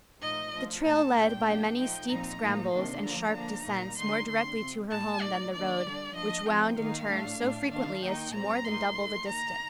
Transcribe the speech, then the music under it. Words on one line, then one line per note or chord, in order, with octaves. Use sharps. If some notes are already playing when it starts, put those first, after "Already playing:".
The trail led by many steep scrambles and sharp descents more directly to her home than the road, which wound and turned so frequently as to more than double the distance.
A#2 F3 A3 D#4 D#5
F3 A3 D4
A#2 A3 D#4 A5
A#2 F3 A3 D4 G5
F3 A#3 D4
F3 A3 D#4 G5
A#2 F3 C4 D#4 A#5
A2 F3 A#3 D#4
C3 D#3 A#3 D4 C6
D3 F3 A#3 A#5
F3 A#3 D4
A#2 G3 A#3 D#4
D3 G3 A#3 D#4 C6
D3 A3 C4 C6
C3 F3 C4
A2 G3 A#3 D#4 A5
A#2 A3 D#4 D5
D#3 A#3 D4 D5
D3 G3 D4
F3 A#3 D4 D#5
F3 C4 D#4 G5
D#3 A#3 D#4 F5
A2 A3 D4
A2 A3 D4
D#3 A#3 D4 F5
D#3 A#3 D#4 G5
A#2 G3 C4 A#5
A2 G3 A#3 D#4 C6
D#3 A3 D#4
D#3 A#3 D#4 A#5